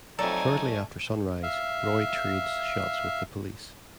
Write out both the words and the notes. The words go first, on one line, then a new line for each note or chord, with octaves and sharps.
Shortly after sunrise, Roy trades shots with the police.
F2 F#3 A3 D#4 A4 D5 G#5 A#5
E5 F5